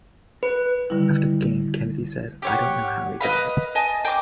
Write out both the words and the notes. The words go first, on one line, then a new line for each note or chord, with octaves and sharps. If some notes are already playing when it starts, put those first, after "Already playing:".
After the game Kennedy said, I don't know how he got it.
B4
D3 D#3 G3 E4
G4 C#5 F#5
B4 D#5 F5 B5
D#5 G#5 A5
G5 A#5 C#6 D6